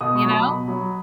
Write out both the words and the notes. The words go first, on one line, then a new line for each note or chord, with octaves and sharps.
you know?
B2 D#6
C#6
F#3
B5
B2
F#3